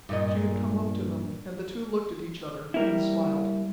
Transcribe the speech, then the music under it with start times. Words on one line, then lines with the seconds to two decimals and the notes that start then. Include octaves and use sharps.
She had come up to them, and the two looked at each other and smiled.
0.09 G2 A#2 D#5
2.74 G3 A#3 E4